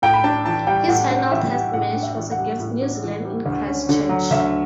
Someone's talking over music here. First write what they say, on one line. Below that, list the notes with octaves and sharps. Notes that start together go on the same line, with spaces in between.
His final Test match was against New Zealand in Christchurch.
A2 G5
B5
D4 A5
E3 A5
G3 G5
A2 F#5
D4 F#5
E3 E5
G3 F#5
A2 F#5
D4
E5
E3
F#5
G3
A2
D4
E3
G3
D2
C#4
D3
F#3
D2 E5